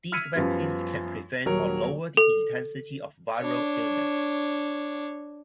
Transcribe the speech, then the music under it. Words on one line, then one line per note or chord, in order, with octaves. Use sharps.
These vaccines can prevent or lower the intensity of viral illness.
E6 F6 G#6 B6 C#7 D#7
F#2 F3 G3 B3 F4
D#1 F#3 A#4 C#5
A4
D4 C#5